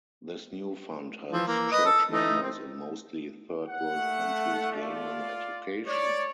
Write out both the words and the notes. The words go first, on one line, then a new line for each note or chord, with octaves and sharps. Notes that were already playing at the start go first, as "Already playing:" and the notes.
This new fund helps church members in mostly third-world countries gain an education.
E3 F3
E3 A#3
B4 D#5
A4
E3 A3 D#4
C4
F#5
A3
F4 D5 F5
C#5 D5